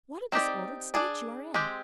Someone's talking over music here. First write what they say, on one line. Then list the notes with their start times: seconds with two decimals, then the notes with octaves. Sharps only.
What a disordered state you are in!
0.32 C4 D#4 G4 D5
0.94 D4 G#4 D5
1.54 G#3 C4 G4